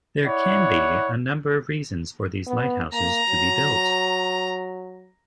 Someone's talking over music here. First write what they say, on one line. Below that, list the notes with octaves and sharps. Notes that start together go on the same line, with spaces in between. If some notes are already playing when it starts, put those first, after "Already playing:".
There can be a number of reasons for these lighthouses to be built.
E4 C#5 D5 F#5
B3
A#3 A#5
F#3